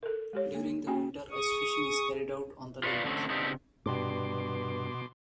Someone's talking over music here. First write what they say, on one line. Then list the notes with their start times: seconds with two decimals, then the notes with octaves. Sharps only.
During the winter, ice fishing is carried out on the lake.
0.03 A4 A#4
0.33 G#3 G4 C#5
0.55 A#3
0.87 A#3 C#4 F#4 G5 G#5
1.31 G#4 C#6 D#6
2.83 F4 B4 C#5 D5 F5
3.04 D3 A3 C4 C#4
3.30 C#3 B3 C4 D4 D#4 G4
3.86 G2 B2 C6 D6